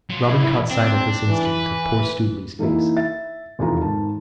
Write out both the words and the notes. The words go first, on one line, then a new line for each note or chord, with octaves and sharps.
Robin caught sight at this instant of poor Stuteley's face.
F#3 F4
E4
C4 D4
E3
B4
E3 A#3 D#4 E4
E5 A6
F1 E2 D#3 F4 A#5
G#2 D#3 A5